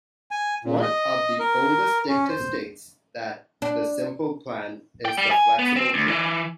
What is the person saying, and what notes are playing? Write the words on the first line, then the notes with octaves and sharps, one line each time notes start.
One of the oldest dicta states that the simple plan is the flexible plan.
G#5
A#2
D#5
A#4
C#4
C5
D4
G5
G3
G#5
B3
C4
D2
E3